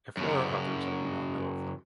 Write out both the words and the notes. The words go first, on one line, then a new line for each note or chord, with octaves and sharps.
If there are others, I do not know of them.
F#2 C#3